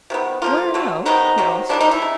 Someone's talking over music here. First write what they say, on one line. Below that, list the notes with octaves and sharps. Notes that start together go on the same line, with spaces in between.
"Where now?" he asked.
C3 D#3 B3
D3 F3 A#3 F4
D3 F#3 A3
C3 D#3 G#3 B3 D#4
C3 D#3 F#3
C3 D#3 G3 D4
D#4
E4
C#3